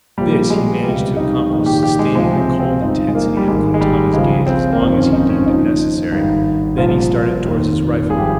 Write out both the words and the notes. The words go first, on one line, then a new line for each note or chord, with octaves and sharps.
This he managed to accomplish, sustaining the cold intensity of Quintana's gaze as long as he deemed it necessary. Then he started toward his rifle.
A#1 A#2 F3 G3
G#3
C#2 C3 F3 G3
D#4
A#1 G#2 D#3
G4
G4
G#3
C#2 C3 F3 G#3
C4
C4
G1 G2 F3 D#4
G#3
A#3
G3
G#1 G#2 D#3 G#3
G#3
G3
C#2 C#3 F3 G#3
C4
A#3
G1 F2 D#3 C4
C#4
D#4
C#4
D#2 C#3 F3 D#4
G#1 G2 D#3
C2 A#2 F3 F4
F1 D#2 D#3
G#1 G2 F3 G#4
G4